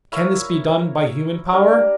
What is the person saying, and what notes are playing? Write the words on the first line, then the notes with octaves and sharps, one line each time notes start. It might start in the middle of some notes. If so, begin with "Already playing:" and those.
Can this be done by human power?
E4 A#4 C#5 F5
D4 G4 A#4 D5